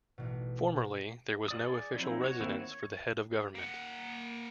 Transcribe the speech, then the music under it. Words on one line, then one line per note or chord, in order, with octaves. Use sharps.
Formerly there was no official residence for the head of government.
A1 B2
F4 D5 D#6
G#4 D5
F3 F#3 C4 D#4 E4
F#4 C#5
D#3 A#3 C4 E4 F#4
C#5
A#3 F#5